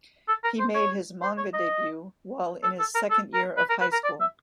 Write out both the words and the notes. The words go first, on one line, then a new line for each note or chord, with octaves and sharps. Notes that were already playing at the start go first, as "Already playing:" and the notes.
He made his manga debut while in his second year of high school.
A4
A#4
C5
C#5
C5
C#5
D#5
A4
A4
A#4
A4
A#4
B4
A#4
B4
A#4
D5
E5